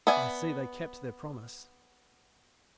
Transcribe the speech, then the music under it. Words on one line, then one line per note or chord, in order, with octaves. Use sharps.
"I see they kept their promise."
B3 D5 E5 G#5